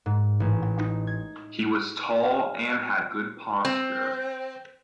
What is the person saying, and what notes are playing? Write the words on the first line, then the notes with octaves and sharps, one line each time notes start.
He was tall and had good posture.
G#2
A1
D#4
G#6
F5
C4